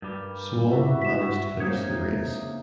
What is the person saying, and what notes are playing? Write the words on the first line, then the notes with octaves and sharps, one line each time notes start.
Swan managed to finish the race.
G2 G3 A#4
E4 F#4 E5
B6 E7
C3 G#3 A#3 D#4 C#5
C#3